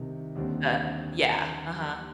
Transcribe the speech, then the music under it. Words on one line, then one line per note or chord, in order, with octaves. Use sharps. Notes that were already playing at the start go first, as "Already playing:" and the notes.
Uh, yeah, uh-huh.
Already playing: C2 C3 D#3
D#2 D3 G3 C4